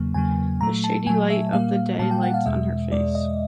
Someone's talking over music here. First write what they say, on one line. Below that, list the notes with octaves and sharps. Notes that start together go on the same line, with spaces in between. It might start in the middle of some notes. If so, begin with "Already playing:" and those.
The shady light of the day lights on her face.
Already playing: E2 C#3 F#3 A#3
E2 C#3 F#3 A#3 G#5
A#2 F#3 A3 A#5
A5
A#2 F#3 A3 G#5
E5
A#2 G3 A#3 F5
A#2 G3 A#3 A5
G5
F#5
F5
E2 B2 G#3 E5
E2 B2 G#3 D5
D#5